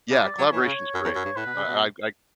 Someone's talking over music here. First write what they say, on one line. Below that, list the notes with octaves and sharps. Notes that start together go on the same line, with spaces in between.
Yeah. Collaboration's great. Uh, I I
C#3 D5
G3
F#3
E3 C#5
B2
C#3
F#2
E2
F#2
G2
A2 B4
B2
C#3
B2